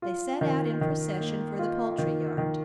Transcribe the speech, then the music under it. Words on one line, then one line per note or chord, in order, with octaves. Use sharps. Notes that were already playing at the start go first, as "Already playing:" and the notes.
They set out in procession for the poultry-yard.
F4
D#3
D#3
A#3
F4
D#3
D#3